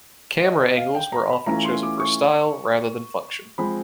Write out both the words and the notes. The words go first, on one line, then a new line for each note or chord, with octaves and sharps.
Camera angles were often chosen for style rather than function.
D#5
D#5
F5
G5
A#5
B5
E3 A3 C#4 F4 A#5
C6
D6
C#6
F3 G#3 C4 B5